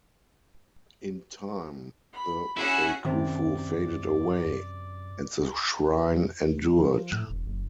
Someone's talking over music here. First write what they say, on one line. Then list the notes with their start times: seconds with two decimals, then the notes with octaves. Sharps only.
In time, the bakufu faded away; and the shrine endured.
2.13 B5
2.57 C#4 E4 F#4 G#4 E5 F#5
3.05 F#2 C3 D#3 C#4 D5
6.79 F3
7.13 A2
7.30 E1
7.46 F#1